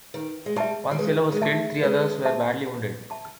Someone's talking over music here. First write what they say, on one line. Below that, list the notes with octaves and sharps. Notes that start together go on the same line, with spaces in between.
One sailor was killed, three others were badly wounded.
D#3 B4
G#3
G3 E5 A5 C#6
G3
G#3 B4
G#3
A3 E5 A5 C#6
G#3 B4
E5 A5 C#6
B4
E5 A5 C#6